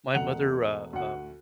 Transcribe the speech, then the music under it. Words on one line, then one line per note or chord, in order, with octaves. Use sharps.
my mother, uh, um
E1 A3 F#5 F7
D2 F#5